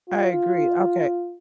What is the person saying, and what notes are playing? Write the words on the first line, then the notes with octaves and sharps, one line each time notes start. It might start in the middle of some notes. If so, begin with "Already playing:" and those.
I agree, okay.
F4